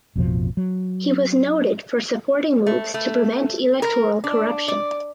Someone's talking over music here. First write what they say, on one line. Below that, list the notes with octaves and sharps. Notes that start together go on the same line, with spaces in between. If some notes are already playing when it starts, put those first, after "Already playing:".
He was noted for supporting moves to prevent electoral corruption.
A1 F2 B2 F3
F#3
A3
A3
A#4
D4
D5